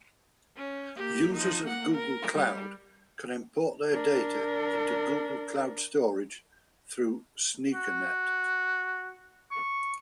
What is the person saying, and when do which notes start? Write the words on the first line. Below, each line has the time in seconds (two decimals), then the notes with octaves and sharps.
Users of Google Cloud can import their data into Google Cloud Storage through sneakernet.
0.57 C#4
0.96 A#3 G4
1.34 F3 D#4
1.65 A#3 F#5
1.95 A#4
2.34 G3
3.91 D4 A#4
7.74 F#4
9.51 C#6